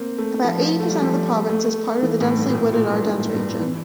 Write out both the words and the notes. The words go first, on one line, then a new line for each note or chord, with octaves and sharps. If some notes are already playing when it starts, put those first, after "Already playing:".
About eighty percent of the province is part of the densely wooded Ardennes region.
Already playing: A#3 C4
A3
F3
F3
A3
G3
F3
G3
A3
E3
A2
G2
A#2
A2
A#2
G2
A2
G2
E3